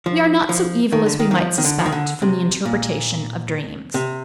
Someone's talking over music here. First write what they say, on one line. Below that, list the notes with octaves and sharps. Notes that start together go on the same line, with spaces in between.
We are not so evil as we might suspect from the interpretation of dreams.
F3
F3
D#3
D3
D#3
D#3
F3
D#3
D3
F3
D#3
D3
C3
A#2
C3